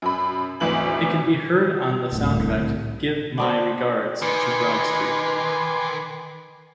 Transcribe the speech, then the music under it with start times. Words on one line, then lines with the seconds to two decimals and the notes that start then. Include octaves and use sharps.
It can be heard on the soundtrack "Give My Regards to Broad Street".
0.02 F#2 B5
0.60 G#1 D2 E3 F#7
2.12 D1 C2 A2
3.38 C4 D4 D5
4.22 D#3 B4 G#5 C6 D6